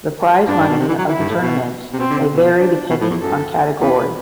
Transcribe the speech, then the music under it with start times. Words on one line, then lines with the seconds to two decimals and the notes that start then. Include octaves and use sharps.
The prize money of the tournaments may vary depending on category.
0.48 G2 D4
0.59 G2
0.69 B2
0.79 C3
0.88 E3
0.98 F#3
1.08 E3 E4
1.19 G2
1.29 A2
1.39 B2
1.93 C3
1.99 B2 C4
2.10 D3
2.20 C3
2.30 B2
2.60 D4
2.90 B2
3.01 A2
3.10 E2
3.20 F#2 A4
3.81 E2 B4